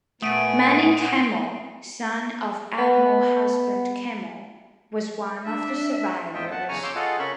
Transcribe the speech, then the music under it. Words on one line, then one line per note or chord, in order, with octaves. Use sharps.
Manning Kimmel, son of Admiral Husband Kimmel, was one of the survivors.
A#2 A3 B3 F#5 G#5 D#6 D7 D#7
B3
D4 E5
E2 A2 F4 D#5 E5 G5
F#5 A5
E2 C#3 G#5 A#5 C#6 F6
C#5 F5 C6 D6 E6 G6
F4 G#4 A4 D#5 F5 F#5
C#3 C#4 A#4 B5 C#6